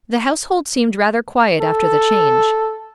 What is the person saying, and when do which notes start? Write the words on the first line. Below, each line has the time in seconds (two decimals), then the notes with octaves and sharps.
The household seemed rather quiet after the change.
1.61 A4